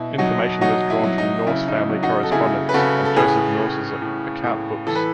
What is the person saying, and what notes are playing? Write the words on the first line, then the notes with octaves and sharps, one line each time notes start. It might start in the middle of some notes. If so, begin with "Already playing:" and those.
Information was drawn from Nourse family correspondence and Joseph Nourse's account books.
Already playing: B2 E4
F#3 D#4 F#4
F#3 D#4 F#4
E4
F#3
D#4
C#3 E4
D#4
E4
F#3
D#4 F#4
A4
C#3 E4 G#4
B4
C#3 F#4 A4
A4
A2 G#4 B4
A2
A2
A2
E3 A4
B4